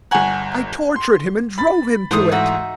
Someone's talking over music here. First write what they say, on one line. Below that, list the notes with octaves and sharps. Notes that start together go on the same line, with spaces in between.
I tortured him and drove him to it.
G1 F#5 G#5 A#5 C#6
C6
B5 A6
G#2 E3 A3 C5 D#6
D#4 F#4 E5